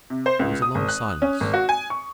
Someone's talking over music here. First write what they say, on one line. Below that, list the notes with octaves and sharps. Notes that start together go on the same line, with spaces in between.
There was a long silence.
C3
C5
C#2
D#6
G#1
F#6
C#4
G#1
F#4
G#5
C#6